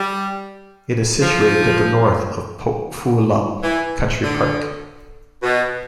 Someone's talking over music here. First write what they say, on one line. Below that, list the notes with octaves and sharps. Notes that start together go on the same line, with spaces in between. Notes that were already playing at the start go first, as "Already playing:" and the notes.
It is situated at the north of Pok Fu Lam Country Park.
Already playing: G3
F3
E3
D3
B2